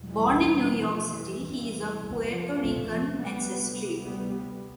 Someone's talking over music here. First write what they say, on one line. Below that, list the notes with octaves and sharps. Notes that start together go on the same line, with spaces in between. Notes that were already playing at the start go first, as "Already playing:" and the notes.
Born in New York City, he is of Puerto Rican ancestry.
Already playing: E2 B2
E3 G3
E3 G3
F3 A3
E3 G3
E2 C3 E3 G3
D3 F3
F3 A3
F3 A3
D2 C3 G3 B3
G3 B3